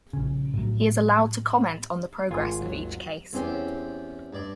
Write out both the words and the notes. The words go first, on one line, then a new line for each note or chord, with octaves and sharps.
He is allowed to comment on the progress of each case.
A#1 C#3
A2 F#3
G#1 F4 G#5
D#2 F#3
E2 C4 C#4 G4 C5
G2 D5